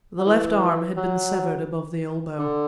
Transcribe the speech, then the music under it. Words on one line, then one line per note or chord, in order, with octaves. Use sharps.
The left arm had been severed above the elbow.
F#3
E3
F#3
D3